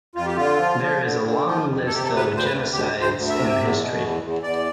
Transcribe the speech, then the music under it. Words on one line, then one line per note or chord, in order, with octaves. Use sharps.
There is a long list of genocides in history.
F2 F4
G4
D3 F4
F3
F3
D3
D3
F3
F2
C3 A4
G4
A4
D2
B4
D2
C5
B4
D2
D2 G4
D2
C5
D2
E5
C3
E2
B2
E2
E2
E2 D5